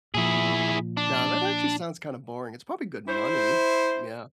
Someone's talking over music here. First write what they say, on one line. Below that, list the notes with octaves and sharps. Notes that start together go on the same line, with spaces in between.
No, that actually sounds kinda boring, it's probably good money. Yeah.
A#2 F3 E4 G#4
D4
E4 C5